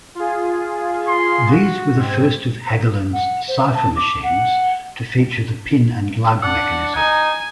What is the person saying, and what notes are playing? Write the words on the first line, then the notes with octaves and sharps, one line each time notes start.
These were the first of Hagelin's cipher machines to feature the pin-and-lug mechanism.
F4 G#4
C6
F#4
G#2 C4 G#6
F#5
C5
A5
D6
F#5
D4 F#5
D#4 G#5